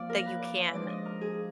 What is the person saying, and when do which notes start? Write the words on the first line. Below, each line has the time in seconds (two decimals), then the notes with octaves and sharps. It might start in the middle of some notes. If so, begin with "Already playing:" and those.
that you can,
Already playing: F3 A#3 D#4 D5 F5
0.10 A#4
0.26 B4
0.42 D5
0.73 F3 G#3 D4 D5
0.89 D#5
1.05 A#4
1.21 G#4